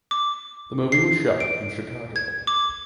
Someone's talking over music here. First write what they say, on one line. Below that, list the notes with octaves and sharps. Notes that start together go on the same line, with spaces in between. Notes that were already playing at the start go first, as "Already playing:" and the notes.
The movie was shot in Chicago.
D6
C7
D7
G#6
D6